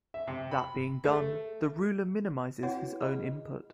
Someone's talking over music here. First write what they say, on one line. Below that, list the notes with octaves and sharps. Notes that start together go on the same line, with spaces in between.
That being done, the ruler minimizes his own input.
E5
C3
B5
A3
C4 E4 F#4 B4 C#5 F#5
G#4 D#5 B5